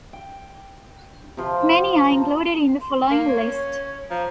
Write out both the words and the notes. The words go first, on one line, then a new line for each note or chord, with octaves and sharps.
Many are included in the following list.
G5
C3 F3 C5
A5 A#5
C6
A#3
C#5
C#4
F3 A#5